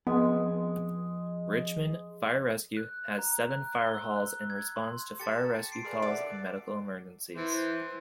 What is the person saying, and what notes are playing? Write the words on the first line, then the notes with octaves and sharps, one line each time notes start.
Richmond Fire-Rescue has seven fire halls, and responds to fire-rescue calls and medical emergencies.
F2 G#3 B3
F#6
A#5
F#6
G7
E6
F#6
G#6
C6
G4 A4 A5 A6 C#7
A#5 E7
C6 C7 D7
G#4 A#4 B4 D5
D5 E5 F#5 D6 D7
E3 C5